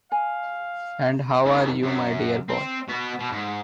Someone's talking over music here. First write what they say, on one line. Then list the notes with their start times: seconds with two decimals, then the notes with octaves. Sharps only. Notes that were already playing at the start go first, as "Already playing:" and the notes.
And how are you, my dear boy?
0.12 F5 G#5
1.45 F2 D#3
1.83 F#2
2.49 C4
2.89 B3 F#4
3.20 B2
3.32 G#2